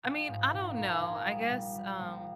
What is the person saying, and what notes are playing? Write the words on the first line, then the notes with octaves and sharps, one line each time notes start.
I mean, I don't know, I guess, um,
A#1 G#4
G#2
A#1
A#1 A#4
G#4
A#1 A#4
G3
A#1
G3
A#1